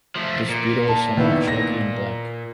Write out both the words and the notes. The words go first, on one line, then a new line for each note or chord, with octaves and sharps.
This beetle is somewhat shaggy and black.
F3 A3
A#2
A5
D#3 B3 E4
A#6